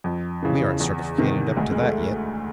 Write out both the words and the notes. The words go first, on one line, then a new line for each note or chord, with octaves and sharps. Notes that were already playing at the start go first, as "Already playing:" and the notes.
We aren't certificated up to that yet.
F2
C#3 E3
E2
C3 D#3
D2 G#3
G#3
A3